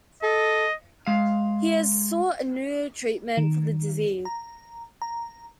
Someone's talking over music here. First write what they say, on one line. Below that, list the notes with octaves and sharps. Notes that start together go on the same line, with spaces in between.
He has sought a new treatment for the disease.
A4 D#5
G#3 F5
D#3
A#5
A#5